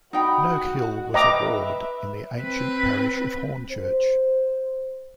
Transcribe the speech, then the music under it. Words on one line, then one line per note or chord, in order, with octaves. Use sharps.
Noak Hill was a ward in the ancient parish of Hornchurch.
D#4 F#4 G5 B5
B4 D#5 E5 G5 A#5 D6
C4 B4
C5